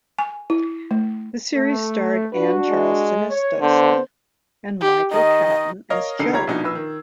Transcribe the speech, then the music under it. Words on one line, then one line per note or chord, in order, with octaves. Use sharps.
The series starred Anne Charleston as Dossa and Michael Caton as Joe.
G#5
E4
A3
A3
D4 F#4 B4
G#3
C#5
D3 B3 C5
G4
D#3 D#5
A#4 C#5 D#5 F5
E1 D3 D#4 A4 C7
C#2 G3 C#5 A#5 G#6
A#1 B2 D4 D#4 F#4
A#1 B4 E6
D#3